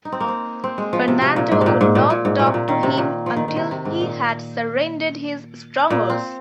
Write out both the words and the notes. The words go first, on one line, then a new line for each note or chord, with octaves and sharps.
Fernando would not talk to him until he had surrendered his strongholds.
D#4
C4
A#3
C4
C4
G#3
F3
C3
C3
A#2
G#2
C3
A#2
G#2
A#2
A#2
G#2
A#2
C3
A#2
D#3
C3
A#2
F3
D#3
D#3
C3
C3
G#2
A#2
A#2
C4